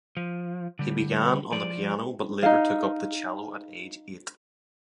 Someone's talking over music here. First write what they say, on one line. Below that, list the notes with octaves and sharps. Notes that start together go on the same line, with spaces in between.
He began on the piano, but later took up the cello at age eight.
F3
D3 G3
F3 D5
D#4 F5